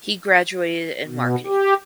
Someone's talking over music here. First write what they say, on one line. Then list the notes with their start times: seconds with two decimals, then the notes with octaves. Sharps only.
He graduated in marketing.
1.07 B2
1.46 G4